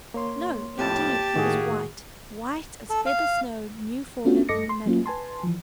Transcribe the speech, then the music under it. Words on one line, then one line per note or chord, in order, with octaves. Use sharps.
No, indeed; he was white--white as feather-snow new fallen in the meadow.
A#3 C#5 C6
F2 A2 G4 A5
A2 D#3 A#3 F#4 G#4
A4
F5
A3 B3 C#4 D4 F4 F#4
G2 A4 D#5 D6 A#6 C#7
C6
F#3 A#3 C#4 F4
B4 G#5 A5 C6
E3 F3